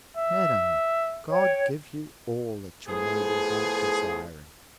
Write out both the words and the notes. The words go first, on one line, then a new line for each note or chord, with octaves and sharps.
Madam, God give you all that your noble heart desireth!
E5
C#5 G5
A2 F3 B3 G#4